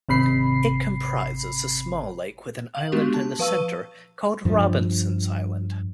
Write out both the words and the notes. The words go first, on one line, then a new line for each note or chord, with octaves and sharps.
It comprises a small lake with an island in the centre, called Robinson's island.
G#1 C3 B5 C7
F5 F#7
G#3 A3 B3 D4 F#4 G4
A5
F3 B4 F5 C#6 E6 D#7
G2 F3